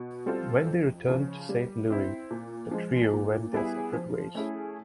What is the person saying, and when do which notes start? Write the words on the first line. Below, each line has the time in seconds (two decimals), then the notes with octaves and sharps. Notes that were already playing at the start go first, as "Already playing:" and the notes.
When they returned to Saint Louis the trio went their separate ways.
Already playing: B2
0.26 G3 C4 F4 A4
0.67 F2
1.08 C#3 F3
1.49 G3
1.90 C4 E4
2.31 A#2
2.71 F3 G#3
3.13 A#2
3.53 G3 B3 E4 G#4
3.93 F3
4.35 A3 C#4 E4 G#4